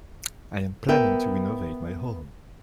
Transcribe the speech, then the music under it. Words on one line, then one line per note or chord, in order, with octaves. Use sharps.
I am planning to renovate my home.
B3 A#4 E5 G5